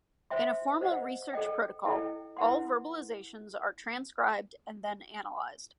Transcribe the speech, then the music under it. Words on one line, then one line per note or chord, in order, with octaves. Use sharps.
In a formal research protocol, all verbalizations are transcribed and then analyzed.
C5 E5 G5 C6
C5 D#5 F#5
A4 D#5 G5
E4 A4 D#5 G5
E4 B4 F#5 C6